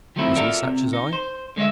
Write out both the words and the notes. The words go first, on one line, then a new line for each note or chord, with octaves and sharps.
Was he such as I?
D#3 F3 F#3 A3 C4 E4
F4 F#4 A4 A#4 D5 E5
C3
D#4
C5
D3 G#3 C5 D#5 E5